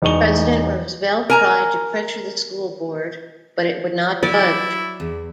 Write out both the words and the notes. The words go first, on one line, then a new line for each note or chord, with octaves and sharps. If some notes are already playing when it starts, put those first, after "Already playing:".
President Roosevelt tried to pressure the School Board, but it would not budge.
E1 E2 D#4 C#6 F7 G7
A#4 G#5 A#5
F#3 E4 D5
E2